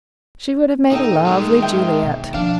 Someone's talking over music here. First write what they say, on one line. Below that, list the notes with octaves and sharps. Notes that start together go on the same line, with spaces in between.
She would have made a lovely Juliet.
A#2 D#4 A4 G5
D#3 G#3
D#2 E5 G5
B2
F3 D4 F5